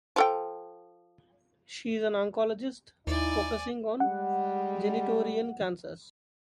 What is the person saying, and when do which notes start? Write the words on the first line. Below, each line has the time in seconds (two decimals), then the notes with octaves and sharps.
She is an oncologist focusing on genitourinary cancers.
0.16 F3 A4 G5
3.07 D#2 D#4 E4 D5 G#5
4.00 G3 G#3 F#5